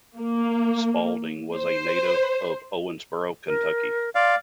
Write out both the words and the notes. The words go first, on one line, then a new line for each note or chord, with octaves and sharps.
Spalding was a native of Owensboro, Kentucky.
A#3
C5
A#4
D5 F5 C6